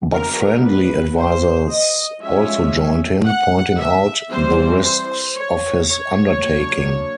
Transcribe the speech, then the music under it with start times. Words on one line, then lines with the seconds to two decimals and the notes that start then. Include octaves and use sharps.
But friendly advisers also joined him, pointing out the risks of his undertaking.
0.13 F#3 B3 D4 A#4
0.65 B4
1.17 C5
1.69 D#5
2.21 F3 G#3 C#4 E5
3.26 F#5
3.78 E5
4.30 E3 G3 C4 C5
4.83 C5
5.35 C#5
5.87 C#5
6.39 F#3 A#3 D4